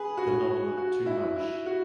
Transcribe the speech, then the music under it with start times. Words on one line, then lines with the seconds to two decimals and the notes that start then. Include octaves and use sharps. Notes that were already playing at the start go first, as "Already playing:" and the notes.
The novel Two Much!
Already playing: G#4 B4
0.17 F#4
0.77 F#4
1.06 E4
1.36 E4
1.66 F#4